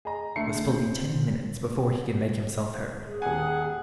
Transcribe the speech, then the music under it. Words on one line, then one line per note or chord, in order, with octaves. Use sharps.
It was fully ten minutes before he could make himself heard.
G#4 D#5 A#5
D2 D3 A3 C7 C#7
C4
G#4
D#1 F#5 G#5